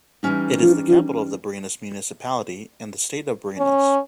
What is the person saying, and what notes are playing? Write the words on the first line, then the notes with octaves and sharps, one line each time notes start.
It is the capital of the Barinas Municipality and the State of Barinas.
E3 F#3 G3 C#4 D#4
C#4